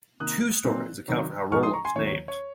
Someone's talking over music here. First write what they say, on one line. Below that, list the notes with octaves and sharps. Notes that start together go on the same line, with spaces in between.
Two stories account for how Rolla was named.
C3 D#3 A#3 D#6 F#6
A#2 F#3 C4 D#4
C3 D#3 F#3
G#2 F3 G#3 D#4 C#6 F6
C6 D#6
A#5 C#6
G#5 C6
D#2 D#3 F#3 C#5
C#5
C#5